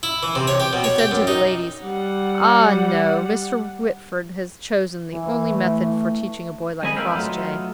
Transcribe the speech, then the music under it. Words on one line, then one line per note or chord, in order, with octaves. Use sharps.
She said to the ladies, "Ah, no! Mr. Whitford has chosen the only method for teaching a boy like Crossjay."
E4
E3
C3
C#5
G4
B2
C#5
G4
F#2
D#4
G3 F#5
E3
A3
D#3 G#3 C4 D#5 G#5 B5
A#4 B4 E5 F5 G5 B5
F#3 A3 D#4 F4